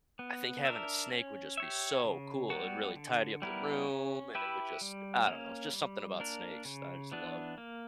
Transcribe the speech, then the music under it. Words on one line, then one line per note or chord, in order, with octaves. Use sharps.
I think having a snake would just be so cool, it'd really tidy up the room, and it would just I don't know, it's just something about snakes that I just love.
B3
D4 A#4 E5
C#4
G4 C#5 E5
C#3
G3 B3 F#4
D3
G3 B3 E4 A#4
C#4
E4 G4 B4 E5
G3
A#3 C#4
G3
A#3 D4 A#4
C#3
E3 B3 D4
A#3